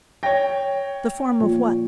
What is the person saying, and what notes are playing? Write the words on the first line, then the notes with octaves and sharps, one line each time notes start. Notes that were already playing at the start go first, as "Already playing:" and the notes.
The form of what?
C#5 G5 A#6
A#2 F3